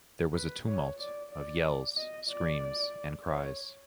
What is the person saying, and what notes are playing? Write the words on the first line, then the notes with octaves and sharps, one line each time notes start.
There was a tumult of yells, screams and cries.
B4
C#5
D5
D5
D#5
D5
C#5